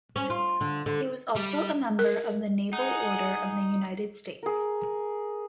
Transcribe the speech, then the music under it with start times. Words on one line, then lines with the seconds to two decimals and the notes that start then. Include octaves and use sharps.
He was also a member of the Naval Order of the United States.
0.16 C#4
0.30 F4
0.61 D3
0.86 D3
1.36 G3
1.99 A#4
2.73 D#4 G#4 F#5
4.43 G#4 A#4